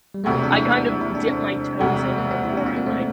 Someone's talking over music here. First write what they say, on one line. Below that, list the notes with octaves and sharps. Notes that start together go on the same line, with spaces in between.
I kind of dip my toes in before I'm like,
G3
E1 D2 C3 A3
A#3
D4
E4
E4
D4
C4
E1 D2 C3
A#3
C4
E4
D4
C4
A#3
A3